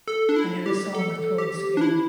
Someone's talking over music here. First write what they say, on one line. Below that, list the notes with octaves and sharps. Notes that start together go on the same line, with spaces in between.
I never saw my clothes again.
A4
D4
E4
G4
A4
G4
D4
E4